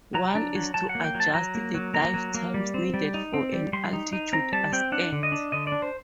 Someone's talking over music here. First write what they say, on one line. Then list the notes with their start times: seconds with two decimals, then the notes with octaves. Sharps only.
One is to adjust the dive times needed for an altitude ascent.
0.14 F#3 A#5
0.35 D4
0.55 F#3
0.74 F#3 A5
0.89 F#5
0.95 A#3
1.04 G5
1.15 F#3
1.20 A5
1.34 F#3 A#5
1.55 A#3
1.74 F#3
1.94 A#3 A#5
2.14 F#3
2.34 A#3
2.54 G3
2.74 C4
2.94 G3
3.14 D#4
3.34 C4
3.53 G3
3.73 G3 C6
3.93 D#4
4.13 D#4
4.33 C4 A#5
4.52 G3 A5
4.73 C4 G5
4.92 D4 F#5
5.12 D3
5.23 D#5
5.32 D4
5.52 D3 D#5
5.67 D5
5.72 D4
5.82 C5